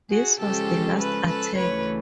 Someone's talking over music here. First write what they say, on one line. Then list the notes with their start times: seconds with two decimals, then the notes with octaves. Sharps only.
This was the last attack.
0.10 F#4 G#4
0.39 C#3 F3 G#3 C#4 G4 A4
0.98 A4 B4
1.27 A4 B4
1.56 D2 C#3 E3 A3 B4 C#5